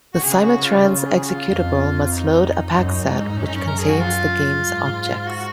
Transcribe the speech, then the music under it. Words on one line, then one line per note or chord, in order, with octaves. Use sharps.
The "Simutrans" executable must load a PakSet which contains the game's objects.
F#4
C#3 G#4
F#4
F4
D#4
F4
G#4
F#4
F4
F2
D#4
F#2
G#2
F#2 C#4
D#4
C#4
A#4
G#4
F#4
F4
G#2
F#4